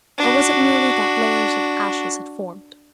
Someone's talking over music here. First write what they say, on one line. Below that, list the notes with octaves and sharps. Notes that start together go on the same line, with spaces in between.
Or was it merely that layers of ashes had formed?
D4 F#4